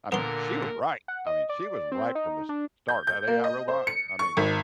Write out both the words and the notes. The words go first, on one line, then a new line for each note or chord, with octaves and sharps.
I mean, she was right! I mean, she was right from the s start, that AI robot I mean, sh
A#2 D3 B3 A#4 C6
F#5
D#5
D5
C4
D#4
D4
G6
G6
A#3
D#5
C5
C#7
C#6
G#1